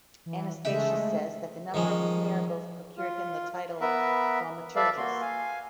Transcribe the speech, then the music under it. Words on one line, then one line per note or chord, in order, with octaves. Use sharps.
Anastatius says, that the number of his miracles procured him the title of Thaumaturgus.
E3
C#3 G#3 A3 D#4 E5
D#3 F3 G#3 C#4
F4
B3 A#4 B4 E5
A4 B4 D5 E5 F5
A#3 F#4 C6
F5 G#5